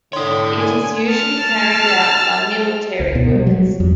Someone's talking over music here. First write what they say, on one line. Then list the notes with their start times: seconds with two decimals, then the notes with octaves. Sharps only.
It is usually carried out by military workers.
0.13 D3 E4 C#5 C6 D#6
0.58 G#5
1.08 A5 F6
3.00 C#2
3.15 B2
3.35 G3
3.47 F#3
3.66 G3
3.80 F2